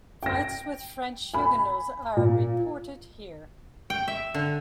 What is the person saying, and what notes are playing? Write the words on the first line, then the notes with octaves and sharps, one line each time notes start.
Fights with French Huguenots are reported here.
G5 A#6
G#5 B5
A#2
G5
E5
D3